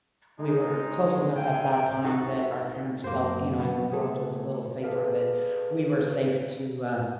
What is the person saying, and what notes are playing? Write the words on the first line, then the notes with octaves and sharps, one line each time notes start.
we were close enough at that time that our parents felt, you know, and the world was a little safer that we were safe to, uh,
G#3 D#4
A4 F5 G5 G#5
D#4 F#4 A4
F#2 A#3 C5
B2 F#3 B3
C#3 A3 G#4 A4
G#4 A4 B4 F5